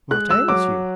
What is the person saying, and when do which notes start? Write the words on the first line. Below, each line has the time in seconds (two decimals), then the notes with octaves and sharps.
'What ails you?
0.11 G#3 F#6
0.30 E6
0.48 F#3 D6